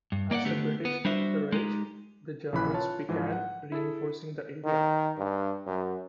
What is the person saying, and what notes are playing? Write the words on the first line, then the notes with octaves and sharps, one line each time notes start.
As the British took the ridge, the Germans began reinforcing the area.
G2
A#3 D5 D#5 F#5
D3 A3 B3 G4
B3
G3 D4 F#4 C5 E5
G#3 D#4 G4
A#1 C#3 E3 E4 B5 F#6
F4 C#5 A5
G#2 E3 F3
F#5
E4 G#4 A4
D#3
G2
F#2